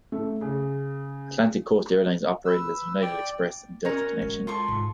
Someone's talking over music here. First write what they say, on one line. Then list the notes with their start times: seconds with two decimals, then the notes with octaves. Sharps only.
Atlantic Coast Airlines operated as United Express and Delta Connection.
0.12 A3
0.41 C#3
2.45 B4 E6
3.02 D5 G5
3.85 C#4 D#4 F#4 A#4
4.22 G#3
4.47 F4 A4 C#6
4.68 G#2